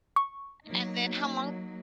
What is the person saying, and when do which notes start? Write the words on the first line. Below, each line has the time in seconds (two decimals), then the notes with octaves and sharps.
And then how long
0.16 C#6
0.65 F#3 A#3 D#4